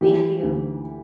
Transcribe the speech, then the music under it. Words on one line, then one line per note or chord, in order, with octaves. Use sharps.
Thank you.
E3 G4
D2